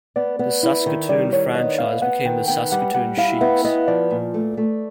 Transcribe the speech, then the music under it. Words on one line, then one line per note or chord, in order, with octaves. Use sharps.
The Saskatoon franchise became the Saskatoon Sheiks.
B3 D5
B3
E4
D#3
G3 D5
D#3 C#5
B3 D#5
B3 F5
B3 F#5
D#3 G5
B3 G5
G3 F#5
G3 F#5
E4 F5
B3 E5
B3 D#5
F3 D5
A#2
A3
A3